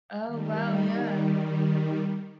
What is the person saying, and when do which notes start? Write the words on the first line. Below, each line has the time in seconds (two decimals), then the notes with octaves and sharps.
Oh wow, yeah.
0.24 D#3 G3